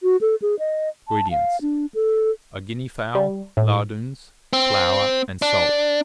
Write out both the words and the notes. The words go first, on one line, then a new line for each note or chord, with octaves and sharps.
INGREDIENTS.--A Guinea-fowl, lardoons, flour, and salt.
F#4
A4
G#4
D#5
A5
F5
D4
A4
G3
A2
C4
D4